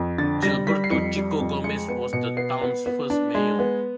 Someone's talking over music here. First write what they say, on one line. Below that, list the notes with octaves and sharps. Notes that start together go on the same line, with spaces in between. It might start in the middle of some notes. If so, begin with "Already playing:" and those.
Gilberto Chico Gomez was the town's first mayor.
Already playing: F2
D3 A6
G3 A#6
G3 B6
C7
F2 C#7
G3
F2
G#3 C#7
B3 C#7
B2 C#7
B3 C7
B3
B3
D4
G#3
B3